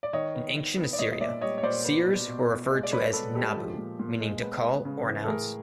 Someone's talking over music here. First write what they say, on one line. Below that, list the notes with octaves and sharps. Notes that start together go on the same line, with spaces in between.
In ancient Assyria seers were referred to as "nabu", meaning "to call" or "announce".
D5
D#3 C#5 D#5
B3
D#3
B3
D5
A#2 C#5 D#5
D#5
A#2 D5 E5
G3 C#5 D#5
C#5
A#2 C5 D5
B3
B2
B2
B2
G#3
D5
G#3 B4 C#5
B3 A4 B4
G#3 G4 A4
F3
A#2
A#2
G#3
B3
B3
C#3
E3
A4
A2 G#4 A#4